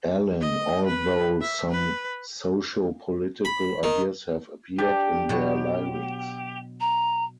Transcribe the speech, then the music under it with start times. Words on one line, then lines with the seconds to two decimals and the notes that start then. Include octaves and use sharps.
Allin, although some socio-political ideas have appeared in their lyrics.
0.41 D#5
0.87 B4
1.41 E5
1.71 B4
3.45 B5
3.83 D#3
4.78 D4 G4
5.29 B2 F#3
6.81 A#5